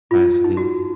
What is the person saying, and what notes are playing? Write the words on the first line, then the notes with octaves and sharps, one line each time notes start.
I see.
F4
D#4
F#4